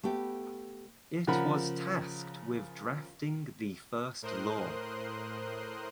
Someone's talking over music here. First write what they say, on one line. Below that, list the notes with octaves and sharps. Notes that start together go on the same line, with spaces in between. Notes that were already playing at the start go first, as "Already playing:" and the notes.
It was tasked with drafting the first law.
A3 B3 G4
C#3 F3 A#4 F#5 B5
A2 A#4 C5 C6 D#6 F#6